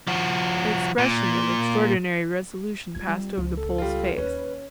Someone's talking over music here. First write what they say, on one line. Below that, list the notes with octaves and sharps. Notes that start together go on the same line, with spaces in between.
An expression of extraordinary resolution passed over the Pole's face.
F3 F#4
A#2
C4 F4 G#6
G3
C#2 F3
A4
G3 F4
D#2 C#4 B4